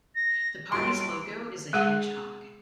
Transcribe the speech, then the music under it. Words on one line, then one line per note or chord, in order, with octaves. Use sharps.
The party's logo is a hedgehog.
A#6
B1 G3 C6 D7
G#3 G#4 F#5